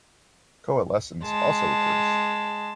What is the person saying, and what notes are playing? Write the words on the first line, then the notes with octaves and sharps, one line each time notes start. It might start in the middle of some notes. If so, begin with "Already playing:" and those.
Coalescence also occurs.
G#3 A5